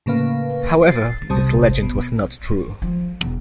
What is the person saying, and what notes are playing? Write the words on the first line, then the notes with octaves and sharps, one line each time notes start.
However, this legend was not true.
A2 C#3 A#3 B4 F5
A6 C7
C2 C3 G3 C5 A5 D#6
B2
F3
E1